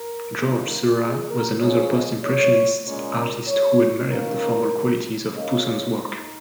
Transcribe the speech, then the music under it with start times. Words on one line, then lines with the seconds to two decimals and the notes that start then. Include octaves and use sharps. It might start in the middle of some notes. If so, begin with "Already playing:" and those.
Georges Seurat was another Post-Impressionist artist who admired the formal qualities of Poussin's work.
Already playing: A#4
0.36 D#3 A#3 C#4
0.98 G#4
1.30 A#4
1.61 C#3 F3 G#3 C#4 C#5
1.92 D#5
2.24 C#5
2.85 A#2 G#3 C#4 C#5
3.16 A#4
3.47 C#5
4.10 D#3 A#3 C#4 A#4
5.34 C#3 A#3 C#4 D#5
5.64 C#5
5.96 D#4